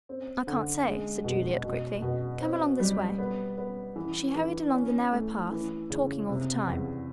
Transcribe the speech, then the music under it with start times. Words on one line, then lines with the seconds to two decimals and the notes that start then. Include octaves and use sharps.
"I can't say," said Juliet quickly; "come along this way." She hurried along the narrow path, talking all the time.
0.09 C4
0.47 D3
0.86 G#3
1.24 B2
1.64 B2
2.02 B2
2.41 C4
2.80 G3
3.18 B3
3.58 B3
3.96 E3
4.35 E3
4.74 C#4
5.12 A3
5.51 E3
5.90 C#3
6.29 C3
6.67 E2